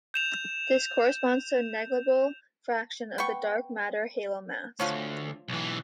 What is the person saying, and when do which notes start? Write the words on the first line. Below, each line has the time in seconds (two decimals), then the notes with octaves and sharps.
This corresponds to a negligible fraction of the dark matter halo mass.
0.14 G6 E7 F7
3.18 B3 G5 C#6
4.80 D2 F3 F4 C#5
5.48 B1 E3